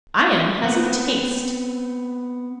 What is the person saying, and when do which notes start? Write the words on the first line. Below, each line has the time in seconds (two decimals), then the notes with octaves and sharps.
"Iron has a taste."
0.64 B3 C4 F#5